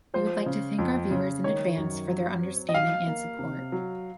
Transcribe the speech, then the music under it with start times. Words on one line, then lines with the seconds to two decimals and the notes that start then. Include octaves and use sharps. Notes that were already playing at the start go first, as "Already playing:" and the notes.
We would like to thank our viewers in advance for their understanding and support.
0.14 F3 C5
0.46 C#3
0.79 F2
1.11 C#3
1.44 D#3 C#5
1.77 F#2
2.09 F#3
2.42 C4
2.69 D#5
2.74 F#3 F5
3.07 A#3
3.39 C3
3.72 F#3